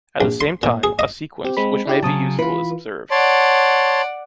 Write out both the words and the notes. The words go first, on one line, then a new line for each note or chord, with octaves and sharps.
At the same time, a sequence, which may be useful is observed.
A#1
C6
A#2
G#4
D#5
C4 G4
G#3 C4 B5
D4 E4 G4
C#3 F#3 A5 D#6
E3 F4 B4
C#5 D5 F#5 A5 C6